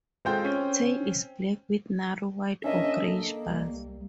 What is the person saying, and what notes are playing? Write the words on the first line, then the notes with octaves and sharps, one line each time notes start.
Tail is black with narrow white or greyish bars.
G#3 C4 F4 A4 C5 G5
C#4
C#4 D4 A#4 D#5 E5
A#3 A4 D#5
C2 G3